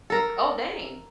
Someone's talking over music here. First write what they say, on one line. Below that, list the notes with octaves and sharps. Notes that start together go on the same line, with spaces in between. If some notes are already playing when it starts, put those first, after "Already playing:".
Oh, dang!
A4 A#4